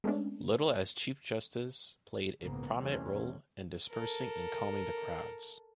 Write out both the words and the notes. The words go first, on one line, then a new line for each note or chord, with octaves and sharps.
Little, as Chief Justice, played a prominent role in dispersing and calming the crowds.
G#3 A3 B3 C#4 D4
A#1 G#2 C#3 A#3 B3
E2 C3 G3 A3 C4 C#4
A4 A#4